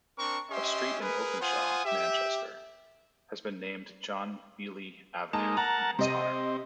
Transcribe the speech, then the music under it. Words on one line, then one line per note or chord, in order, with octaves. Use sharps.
A street in Openshaw, Manchester, has been named "John Beeley Avenue" in his honour.
C4 D4 A#4 C#6
C#4 G4 D#5 E5 C6
G#4 A#4 B4
F4 C5 F#5 G#5 D#6
G4 E5
G#3 A#3 D#4 A5 E7
A#4 F#5 A5 A#5
C3 C4 D#5 D#7